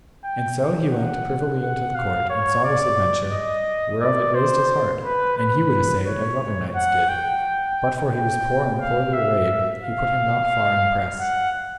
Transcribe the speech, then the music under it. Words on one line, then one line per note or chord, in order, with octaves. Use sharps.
And so he went privily into the court, and saw this adventure, whereof it raised his heart, and he would assay it as other knights did, but for he was poor and poorly arrayed he put him not far in press.
G5
F#5
F#5
F5
C#5
D5
D#5
D5
C5
B4
B4
C#5
F#5
G5
G5
F5
E5
F5
F#5